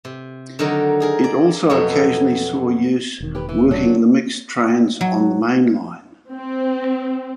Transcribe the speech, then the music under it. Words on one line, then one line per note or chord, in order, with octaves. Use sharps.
It also occasionally saw use working the mixed trains on the mainline.
C3
D3 D#3 F#3 D#4 A#4
D#4 G#4 A#4
D5
F2 B2 F#3 A4 E5
E1 D#3
G4 B4
E3
D3 F#3 A3
F#3
C4